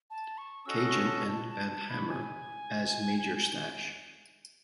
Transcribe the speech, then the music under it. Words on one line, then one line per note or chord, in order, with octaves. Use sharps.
Cajun, and Van Hammer as Major Stash.
A5
C#6
C#4 F#4 A4 D#5 E6
C#6
A5
A5
A5
A5
B5
G#5